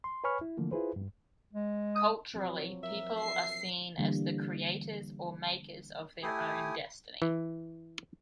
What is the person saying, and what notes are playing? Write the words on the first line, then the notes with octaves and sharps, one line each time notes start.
Culturally, people are seen as the creators or makers of their own destiny.
C6
B4 C#5 G#5 B5 C#6 F6
E4
D3 E3 F3 A3 A#3
E4 F4 G#4 B4 C5
G2
G#3
D#6
F3 F#3 C4
A#4 E5
C7
D3 E3 G3 A#3
A3 E4 G4 G#5 D#6
E3